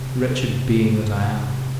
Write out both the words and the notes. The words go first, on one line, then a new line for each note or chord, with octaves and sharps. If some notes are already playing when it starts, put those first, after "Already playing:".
Wretched being that I am!
Already playing: C3
C3